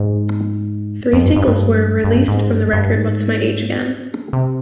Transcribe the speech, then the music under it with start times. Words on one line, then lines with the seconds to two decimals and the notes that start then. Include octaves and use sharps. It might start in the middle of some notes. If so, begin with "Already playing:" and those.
Three singles were released from the record-What's My Age Again?
Already playing: G#2
1.13 F2
1.25 G2
1.36 G2
1.47 G2
2.04 G2
2.28 G#2
2.50 G2
2.73 G2
2.96 G#2
4.33 C3